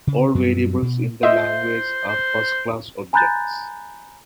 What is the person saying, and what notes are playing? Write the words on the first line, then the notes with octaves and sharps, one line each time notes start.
All variables in the language are first class objects.
C#3
F#2 F#3 G3 C4
B2
F4 C5 D#5 E5
C5
G#5 A#5 B5 F#6 G6 A6